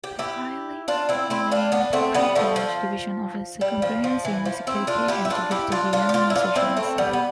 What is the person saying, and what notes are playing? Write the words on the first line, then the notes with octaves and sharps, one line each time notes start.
The highly acclaimed Pre-College Division offers a comprehensive music education to gifted young musicians.
G4
E4 G4
D4 F4
C4 E4
C4 E4
D4 F4
B3 D4
A3 C4
G3 B3
F3 A3
F3
G3
F3
F3
E3
F3
C4 E4
D4 F4
E4 G4
E4
D4 F4
E4 G4
D4 F4
D4 F4
G4
D4 F4
E4
D4 F4
C4 E4
A3 C4
G3 B3
B3